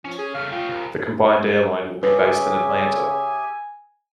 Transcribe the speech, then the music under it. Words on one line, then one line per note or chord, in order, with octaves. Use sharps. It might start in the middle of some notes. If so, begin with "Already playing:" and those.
The combined airline will be based in Atlanta.
F3 C#4
G#4
C#3 A3 F5
C#4 F4 G5
C2
C#3 G4 G#4 B4 E5 G#5